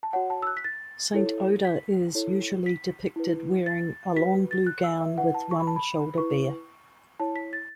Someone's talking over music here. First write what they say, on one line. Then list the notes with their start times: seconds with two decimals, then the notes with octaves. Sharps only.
Saint Oda is usually depicted wearing a long blue gown with one shoulder bare.
0.03 A5
0.13 F#4 C#5 F#5
0.30 A5
0.42 E6
0.47 F#6
0.57 B6
0.64 A6
1.14 E4 A4 C#5
1.65 B6
2.15 E4 A4 C#5
2.66 B6
3.16 E4 B4
3.66 A6
4.16 F#4 B4 B6
4.51 A6
4.67 F#6
4.84 E6
5.01 E5
5.17 E4 B4 F#5
5.34 A5
5.51 C#6
5.60 B5
5.67 A5
5.76 B5
6.18 E4 B4 C#6
7.20 E4 C#5 A5
7.36 B6
7.53 A6